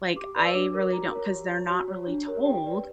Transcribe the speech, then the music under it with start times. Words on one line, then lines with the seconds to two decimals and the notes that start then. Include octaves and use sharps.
Like, I really don't 'cause they're not really told,
0.16 G4 D6
0.36 B4 D5
0.42 E6
0.54 D4 D6
0.74 A#4 C#5
0.92 F#4 A#5
1.11 A#4 C#5
1.31 G4
1.50 C#5
1.70 F#4
1.88 C#5
2.07 D4
2.26 G4 A#4 C#5
2.45 G4 G5
2.65 B4 D5